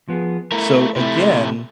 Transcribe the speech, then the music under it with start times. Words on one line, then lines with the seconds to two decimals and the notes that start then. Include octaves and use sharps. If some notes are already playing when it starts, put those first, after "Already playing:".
So, again,
0.09 F3 B3 G#4
0.52 A3 E4 A#4
0.96 C3 A3 E4